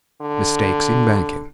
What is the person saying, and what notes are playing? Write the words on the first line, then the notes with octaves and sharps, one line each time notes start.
Mistakes in Banking.
D3